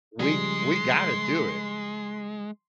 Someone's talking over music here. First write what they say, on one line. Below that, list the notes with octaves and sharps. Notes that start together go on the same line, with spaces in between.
we g we gotta do it.
C#3 F3 G3 G#3 C6